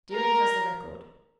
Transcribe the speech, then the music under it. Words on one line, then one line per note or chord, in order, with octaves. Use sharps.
Deering has the record.
A#4